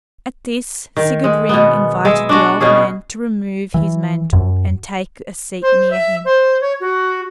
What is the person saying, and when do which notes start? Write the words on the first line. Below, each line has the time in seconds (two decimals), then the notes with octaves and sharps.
At this Sigurd Ring invited the old man to remove his mantle and take a seat near him.
0.97 D#3
1.24 G#3
1.49 B2 B3
2.05 G#3 E5
2.29 D4 F#4
2.60 B2 B3 C#4 G#4
3.74 E3
4.33 F#2
5.62 C5
5.91 E5
6.25 C5
6.61 C#5
6.81 F#4